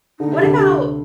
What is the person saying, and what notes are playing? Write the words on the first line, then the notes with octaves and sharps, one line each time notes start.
what about
D3 D#4
C3
D2 D3 G4
G4